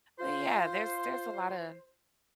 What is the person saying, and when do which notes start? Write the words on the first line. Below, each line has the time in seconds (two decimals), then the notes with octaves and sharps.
but, yeah, there's there's a lotta
0.19 F4 C5